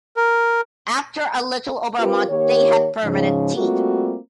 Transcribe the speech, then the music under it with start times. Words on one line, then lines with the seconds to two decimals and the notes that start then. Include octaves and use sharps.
After a little over a month they had permanent teeth.
0.17 A#4
1.98 C4 F4 G4 A#4 B4
2.29 D#3 A#3 G4 C#5
3.03 G#2 C#3 F3
3.55 G3 A3 A#3 C4 F4 F#4